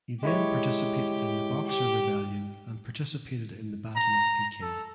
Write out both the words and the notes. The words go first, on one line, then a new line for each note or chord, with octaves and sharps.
He then participated in the Boxer Rebellion and participated in the Battle of Peking.
G#3 E4 G4 C#5
G4
A#5
A4